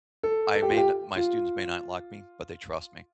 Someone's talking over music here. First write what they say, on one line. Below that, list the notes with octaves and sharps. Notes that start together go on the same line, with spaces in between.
I may not my students may not like me, but they trust me.
A4
A4
G4
F4
G4
F4